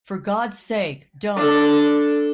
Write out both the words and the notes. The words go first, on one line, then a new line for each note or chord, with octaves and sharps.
For God's sake, don't!
D4 A4